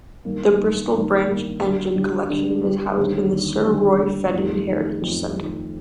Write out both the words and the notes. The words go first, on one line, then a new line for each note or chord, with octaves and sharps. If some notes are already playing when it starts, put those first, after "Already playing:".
The Bristol branch engine collection is housed in the Sir Roy Fedden Heritage Centre.
G2 D#3 A#3
G2 D#3 A#3
G2 D#3 A#3
G2 D#3 A#3
D3 G3 D4 G4
D3 G3 D4 G4
D3 G3 D4 G4
D3 G3 D4 G4
D#2 D3 G3
D#2 D3 G3
D#2 D3 G3
D#2 D3 G3
F2 D#3 A3
F2 D#3 A3
F2 D#3 A3
F2 D#3 A3